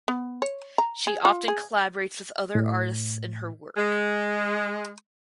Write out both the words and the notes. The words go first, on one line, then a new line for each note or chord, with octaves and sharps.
She often collaborates with other artists in her work.
B3
C#5
A#5
G#4
F4
G#4
A2
G#3